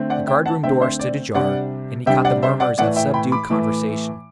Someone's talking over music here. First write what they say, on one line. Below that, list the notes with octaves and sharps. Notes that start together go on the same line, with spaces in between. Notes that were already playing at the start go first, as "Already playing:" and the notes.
The guardroom door stood ajar, and he caught the murmurs of subdued conversation.
Already playing: D3 A3 C4
D5 F#5
E5 G5
F#5 A5
D3 A3 C4 E5 G5
C5 E5
D5
C3 G3 D4 D5 F#5
C3 G3 D4 E5 G5
D5 F#5
C5 E5
D5 F#5
A2 E3 A3 D5 F#5
E5 G5
G5 B5
B5 D6
A2 E3 A3